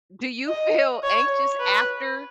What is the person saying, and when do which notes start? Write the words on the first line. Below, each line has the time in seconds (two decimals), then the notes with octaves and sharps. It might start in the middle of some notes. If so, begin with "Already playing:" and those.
do you feel anxious after?
0.47 D#5
1.03 C#5
1.60 B4